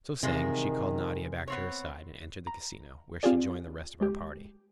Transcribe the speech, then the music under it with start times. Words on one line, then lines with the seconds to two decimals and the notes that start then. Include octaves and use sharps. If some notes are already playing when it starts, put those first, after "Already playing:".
So saying, she called Nadia back to her side, and entered the Casino, where she joined the rest of our party.
0.23 E2 C3 D#3 F3 G#3
1.48 B3 C4 C#5
2.47 A#5
3.23 C4 F4 G4 G#4 D5
4.01 G#3 G4